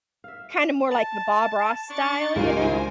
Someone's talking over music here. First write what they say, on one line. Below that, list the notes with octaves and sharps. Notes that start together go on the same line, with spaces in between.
Kinda more like the Bob Ross style, you know?
E5 F5
A5
D4 C#6 A6
C#2 D#3 G3 D4 A#4 C5 G#5